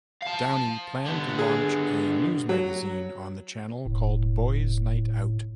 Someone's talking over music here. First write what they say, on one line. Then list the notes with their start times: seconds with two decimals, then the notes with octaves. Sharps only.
Downey planned to launch a news magazine on the Channel called Boyz Night Out.
0.22 F5 A5
1.06 D3 B3
1.39 G#4
2.49 F#3
3.86 E1 A2